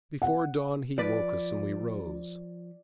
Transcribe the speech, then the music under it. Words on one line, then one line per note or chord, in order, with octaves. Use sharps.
Before dawn he woke us, and we rose.
F#5
F3 B4 D5